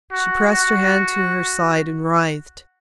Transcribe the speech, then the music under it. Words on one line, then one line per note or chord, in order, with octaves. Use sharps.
She pressed her hand to her side and writhed.
F#4
F#4